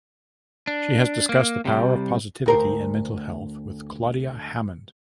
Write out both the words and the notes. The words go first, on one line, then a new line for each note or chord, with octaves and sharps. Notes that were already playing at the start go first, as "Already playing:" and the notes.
She has discussed the power of positivity and mental health with Claudia Hammond.
D4
A#3
C3 G3
D2 A#4 C5